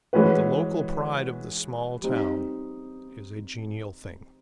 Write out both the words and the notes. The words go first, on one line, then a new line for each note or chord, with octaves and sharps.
But the local pride of the small town is a genial thing.
E3 G#3 C#4 F#4 B4
G3 C4 D#4